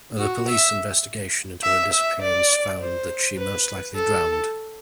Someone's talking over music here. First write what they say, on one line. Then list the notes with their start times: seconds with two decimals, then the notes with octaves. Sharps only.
The police investigation into her disappearance found that she most likely drowned.
0.19 F#4
0.48 E5
1.63 E5
1.93 E5
2.22 D5
2.80 C5
3.37 B4
3.95 A4